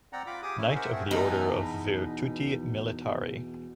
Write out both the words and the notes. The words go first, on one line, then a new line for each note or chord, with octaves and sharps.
Knight of the Order of Virtuti Militari.
C4 D5 F#5 G5 A#5
F4 B5 D6
G4 G#4 D6 D#6
C#4 E4
A#4 C5 E5 F#5
A3 C4 G#4
E2 B2 D#4 B4